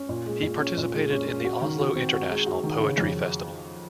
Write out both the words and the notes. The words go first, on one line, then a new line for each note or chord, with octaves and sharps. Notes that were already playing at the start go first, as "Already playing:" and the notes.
He participated in the Oslo International Poetry Festival.
Already playing: C#4
A#2
G#3
A#2
C#4
A#2
G#3
C#4
C#4
F#4
D#3
F#4
C4
F#4
G#3
F#4
D#3
C#3
F2